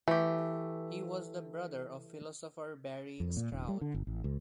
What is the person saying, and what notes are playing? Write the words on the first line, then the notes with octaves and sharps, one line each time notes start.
He was the brother of philosopher Barry Stroud.
E3 A3 G4
F2
A#2
D#1
G3
D3
G1
A1
C#2